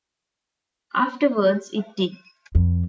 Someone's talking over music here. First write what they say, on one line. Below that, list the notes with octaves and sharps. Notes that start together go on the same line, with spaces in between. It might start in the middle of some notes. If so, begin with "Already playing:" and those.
Afterwards It Did.
F2